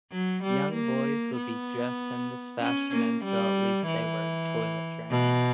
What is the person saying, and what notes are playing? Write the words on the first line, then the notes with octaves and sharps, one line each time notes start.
Young boys would be dressed in this fashion until at least they were toilet-trained.
F#3
G3
A#3
B3
C#4
A#3
G3
E3
B2